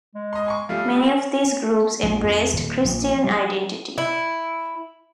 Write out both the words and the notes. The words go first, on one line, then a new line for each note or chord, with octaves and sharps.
Many of these groups embraced Christian Identity.
G#3
D#5 C6
G#5 C6 C#6
F3 G3 A3 F5
C4
A#1
F2
D#1
A#1
G3
E4